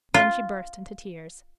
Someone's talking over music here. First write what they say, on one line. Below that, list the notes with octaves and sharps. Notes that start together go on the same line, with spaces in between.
Then she burst into tears.
F4